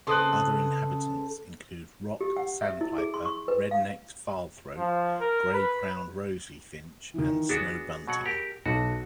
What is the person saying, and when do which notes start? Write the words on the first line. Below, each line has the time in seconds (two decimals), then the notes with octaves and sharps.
Other inhabitants include rock sandpiper, red-necked phalarope, gray-crowned rosy finch and snow bunting.
0.07 C#3 C4 A4 B4 C6 D#6 F#6
2.21 G4
2.37 F#5
2.62 E5
2.81 E4
2.98 G#4
3.14 C6
3.25 C#6
3.48 B4
3.71 F5
4.77 F3
5.21 A#4
5.54 B4
7.14 D#3 E3
7.49 B3 D4 F#4 G#4
8.07 B2 F#3 F#5
8.25 G4 A#4
8.66 B1 F#4